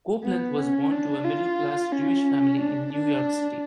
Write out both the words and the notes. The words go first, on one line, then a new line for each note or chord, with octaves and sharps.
Copeland was born to a middle-class Jewish family in New York City.
B3
C#4
D4
F4
C#4
D4
D4